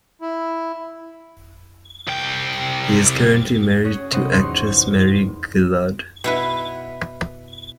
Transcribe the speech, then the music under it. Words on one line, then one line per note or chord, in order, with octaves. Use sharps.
He is currently married to actress Marie Guillard.
E4
C2 G5
C#4 F#4 G#4 C#5
C3 B3 C5 D#5 F#5
G#1 E2 D#4 C6 C#6
B2 E4 B4